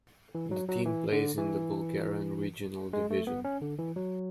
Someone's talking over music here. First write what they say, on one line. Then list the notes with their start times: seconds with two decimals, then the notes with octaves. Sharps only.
The team plays in the Bulgarian Regional Division.
0.35 E3
0.51 F#3
0.69 F#3
0.86 E3
1.12 D3
1.38 E3
2.93 G#3
3.11 A3
3.27 B3
3.45 C#4
3.62 D3
3.79 E3
3.96 F#3